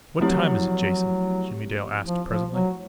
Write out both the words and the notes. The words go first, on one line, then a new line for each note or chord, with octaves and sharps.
"What time is it, Jason?" Jimmie Dale asked presently.
F3 F#3 A3 C4 E4 G4
F3
F3
F#3